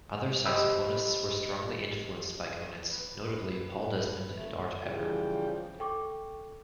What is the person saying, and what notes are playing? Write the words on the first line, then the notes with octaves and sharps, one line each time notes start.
Other saxophonists were strongly influenced by Konitz, notably Paul Desmond and Art Pepper.
G4 C5 D#5 B5 E6
B4
A3
C#3 E3 F3 G3 G5
A4 G5 C#6 D6